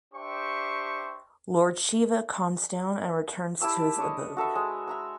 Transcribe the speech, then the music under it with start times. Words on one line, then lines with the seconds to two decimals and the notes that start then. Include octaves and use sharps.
Lord Shiva calms down and returns to his abode.
0.13 D4 G4 C5 E5 G5 C#6
3.62 E4 G4 A5 E6
3.98 D4 C#5 D#5
4.37 F#4 A4 B4 E5
4.55 G#3
4.87 E5 A#5 E6